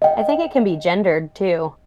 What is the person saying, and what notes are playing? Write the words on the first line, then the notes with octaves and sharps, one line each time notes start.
I think it can be gendered too.
D#5 G5